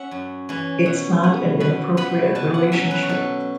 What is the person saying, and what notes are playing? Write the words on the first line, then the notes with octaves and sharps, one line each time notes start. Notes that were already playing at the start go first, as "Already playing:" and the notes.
It's not an inappropriate relationship.
Already playing: C#4 E5 F#5
F#2
E3 C#4
B2
B3
B2 B5
B3 B5
B2 A5
F#5
F#3 C#4 E5
B4
F#4
B2 A4